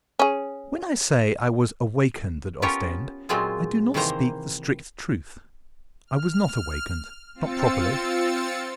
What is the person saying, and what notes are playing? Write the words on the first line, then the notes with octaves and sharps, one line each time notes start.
When I say I was "awakened" at Ostend, I do not speak the strict truth. I was not awakened--not properly.
C#4 G#4
B3 C#4 F4 G4 A#4 C#5
A#2 F#3 G#3 C4 F4 G#4
C3 D#3 E3 A#3 C5 A#5
F6
C4 F4 E6 A6 C#7